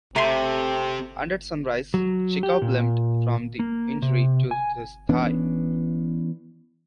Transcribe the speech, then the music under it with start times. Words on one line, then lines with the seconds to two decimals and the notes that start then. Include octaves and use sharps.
And at sunrise, Jacob limped from the injury to his thigh.
0.16 C3 A3 C4 A#5 C6
1.94 F#3
2.43 G4
2.62 A#2
3.59 A#3
4.02 C3
4.51 G#5
5.09 E3 B3 C#4 D4